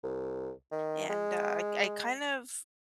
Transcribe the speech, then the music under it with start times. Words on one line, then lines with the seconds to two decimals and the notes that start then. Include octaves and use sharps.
and I I kind of
0.03 C2
0.72 D#3
1.10 G#3